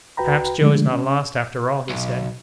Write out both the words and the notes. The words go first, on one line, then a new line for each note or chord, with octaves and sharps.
"Perhaps Joe is not lost after all," he said.
C#2 F#4 B4 G5 A#5 B5
D3 F3 G#3 A3 D4
C#4
B1